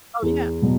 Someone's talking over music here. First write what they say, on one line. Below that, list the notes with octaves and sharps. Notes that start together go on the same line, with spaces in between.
Oh, yeah.
E2
B2 F#3